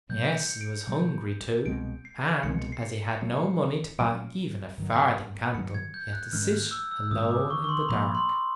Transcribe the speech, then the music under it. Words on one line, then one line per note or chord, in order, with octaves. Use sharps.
Yes, he was hungry too, and as he had no money to buy even a farthing candle, he had to sit alone in the dark.
B2 F#3 A3 G6
C#7
D7
B2 F#3 A3
C2 B2 G#3 C4 D7
C7
C2 B2 G#3 C4 C#7
C7
C#7
A#2 F#3 A3 C#4
A#2 F#3 A3 C#4 D7
G2 D#3 F#3
G2 D#3 F#3 C#7
G#6
G6
F#6
G#2 D#3 G#3 C#4 F6
F6
E6
E6
G#2 D#3 G#3 C#4 D#6
D6
C#6
C#6
C6
A#2 F3 A#3 B5
C6